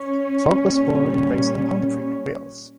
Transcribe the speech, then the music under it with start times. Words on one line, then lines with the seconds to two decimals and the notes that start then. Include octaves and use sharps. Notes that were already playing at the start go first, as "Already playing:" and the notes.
Volk was born and raised in Pontypridd, Wales.
Already playing: C#4
0.53 A#2 G3